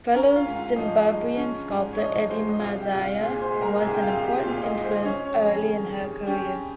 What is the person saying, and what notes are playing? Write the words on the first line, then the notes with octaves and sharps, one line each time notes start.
Fellow Zimbabwean sculptor Eddie Masaya was an important influence early in her career.
C#4 A#4 A#5
F4 F5
G#2
F4 F5
F3 D#4 D#5
G#3
C#4
G#2
C#5
F3 D#4 D#5
G#3 C5
D#5
C2 F4 F5
G4 G5
C2
F4 F5
A#2 G#4 G#5
C5 C6
G#3
A#4 A#5
C2 G#4 G#5
G5
F4 F5
C2
G4 G5
A#2 F4 F5
D#4 D#5
G#3
C5
D#5
C#4 C#5
C#5
F2
G#4 G#5
D#3
G3
C#4 G4 G5